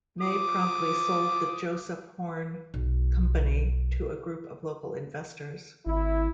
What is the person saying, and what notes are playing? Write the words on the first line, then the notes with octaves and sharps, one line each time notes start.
May promptly sold The Joseph Horne Company to a group of local investors.
F3 D6 D#6
B1
G#1 E4